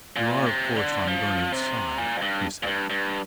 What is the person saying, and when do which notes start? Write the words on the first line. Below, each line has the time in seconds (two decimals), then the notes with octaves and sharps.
"You are, of course, on Bernard's side," he said.
0.16 A#2
0.46 C3
0.76 D3
1.07 F3
1.52 C3
1.98 A#2
2.17 F2
2.22 G2
2.63 A#2
2.66 G2
2.90 G2